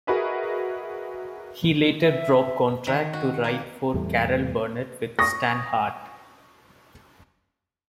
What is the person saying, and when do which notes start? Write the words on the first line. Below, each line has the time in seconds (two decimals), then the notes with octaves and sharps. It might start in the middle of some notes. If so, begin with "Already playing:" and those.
He later broke contract to write for Carol Burnett with Stan Hart.
0.07 F#4 G#4 A#4 B4 D#5 E5
1.98 E5
2.87 D#3
3.13 F#4
3.44 A#3
3.94 E2 A2 G3 A3
5.19 C#6 D#6 A#6